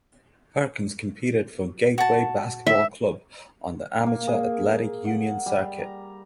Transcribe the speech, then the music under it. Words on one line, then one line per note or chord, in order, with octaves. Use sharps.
Perkins competed for Gateway Basketball Club on the Amateur Athletic Union circuit.
F#4 A5
E5
A#3
G#4
F#5
G3
A#5